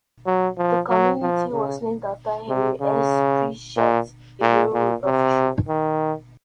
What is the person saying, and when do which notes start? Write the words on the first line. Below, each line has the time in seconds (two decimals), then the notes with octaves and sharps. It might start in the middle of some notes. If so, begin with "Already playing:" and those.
The community was named after Henry S. Pritchett, a railroad official.
0.26 F#3
0.57 F3
0.90 F#3
1.22 F3
1.53 C#3
2.49 C3
2.81 C#3
3.77 A#2
4.41 A#2
4.73 A#2
5.05 C3
5.68 D#3